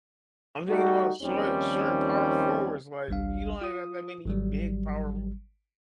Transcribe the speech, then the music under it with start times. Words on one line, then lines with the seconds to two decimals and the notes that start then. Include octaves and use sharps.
I'm thinking about short short power forwards, like, you don't even have that many big power,
0.69 G3 A3 D#4 F#4
1.22 D#2 D#3 F3 G3 C4 C#4
3.08 G#1 C#2 G3 D4 F5
3.61 F4 D#6
4.25 G#1 F#3 G3